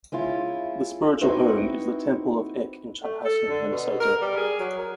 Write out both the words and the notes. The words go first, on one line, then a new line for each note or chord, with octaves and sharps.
The spiritual home is the Temple of Eck in Chanhassen, Minnesota.
G#3 C#4 E4 F4
C4 D#4 E4 F#4 B4 C5
A3
A4
D3
B2
A#4
G3
G#4
F#3
A#4